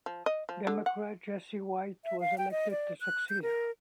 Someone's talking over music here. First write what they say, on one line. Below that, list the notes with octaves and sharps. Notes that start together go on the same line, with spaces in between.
Democrat Jesse White was elected to succeed her.
F3
D#5
F3
D3
F#5
E5
F5
G5
D#5
D5
F#6
G6
A#4